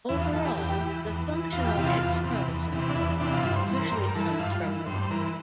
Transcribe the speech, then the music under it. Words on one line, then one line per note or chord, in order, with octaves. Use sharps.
Overall, the functional X chromosome usually comes from the mother.
E2 E4
F4
E3 A4
G4
E2 G4
E3
E2
E3
E2 F4
G4
C3 E3 F4
E2
C3 E3
E2
C3 E3
D4
E2 E4
C3 E3 D4
F4
G2 E4
C5
E3
C5
A#4
C5
G2 A#4
A#4
E3 A4
E4
G2 F4
E3
G2 C5
C5
E3 A#4